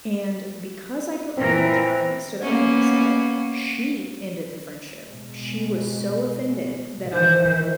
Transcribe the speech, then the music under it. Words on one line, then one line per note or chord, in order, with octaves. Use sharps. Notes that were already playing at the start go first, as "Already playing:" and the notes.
And because I put my foot down and I stood up for myself, she ended the friendship. She was so offended that I had
A#2 E3 C4 A#4
A#3 B3 C#4
B2 G#3
D#3 E3 C5